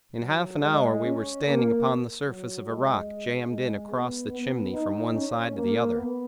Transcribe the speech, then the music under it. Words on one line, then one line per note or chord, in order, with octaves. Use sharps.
In half an hour we were standing upon the surface of a rock jammed in across the chimney from one side to the other.
F#3
G#3
C#4
A#3
F#3
G#3
G#3
B3
B3
D#4
C#4
A#3
B3